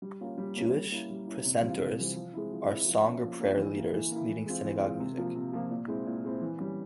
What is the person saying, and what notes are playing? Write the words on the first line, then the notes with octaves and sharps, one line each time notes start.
Jewish precentors are song or prayer leaders, leading Synagogue music.
G3
A#3 C#4 F4
G3
A#3 C#4 F4
G3
A#3 C#4 E4
G3
A#3 C#4 E4
C3
E3 G3 C4 F4
C3
E3 G3 C4 F4
F3
G#3 C4 E4
F3
G#3 C4 E4
F3
A#3 C#4 F4
F3
A#3 C#4 F4
E3
A#3 E4
E3
A#3 E4
E3
G#3 C4 F4
E3
G#3 C4 F4
C3
F3 A#3 F4
C3
F3 A#3 F4
A#2
G#3 C4 E4
A#2
G#3 C4 E4
E3
G3 C#4